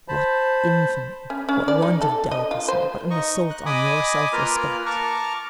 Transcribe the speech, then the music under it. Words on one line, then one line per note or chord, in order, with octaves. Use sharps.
What infamy! what want of delicacy! what an assault on your self-respect!
C5 A5 B5
C#4
C#4
D5
D#4
A4
D#5
F4
C5
D#4 D#5 C#6
F#6
D#5 G#5 B5 D6 D#6
A#3 F4 A#4 B4 F6
A5 A#5 C#6 D6 F6